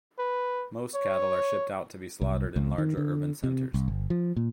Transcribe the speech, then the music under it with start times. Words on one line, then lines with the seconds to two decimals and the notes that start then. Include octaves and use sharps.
Most cattle are shipped out to be slaughtered in larger urban centers.
0.19 B4
0.95 C#5
2.21 C2
2.56 C#2
2.78 D#3
2.97 D3
3.44 C3
3.74 C2
3.88 G1
4.10 F3
4.36 A#2